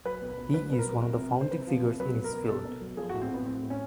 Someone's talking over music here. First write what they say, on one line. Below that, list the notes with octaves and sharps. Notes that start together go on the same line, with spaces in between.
He is one of the founding figures in his field.
F#3 B4
B2
B2
F#3 B4
B2 B4
A#4
F#3
C3
C3
C3
C5
C3 B4
F3
C3
F#3 B4
B2
A#4
B2
B2 A4
B2
F#3
F3 G#4
F#4
A2
C4
A2 B3
A2 C4
A2
C#4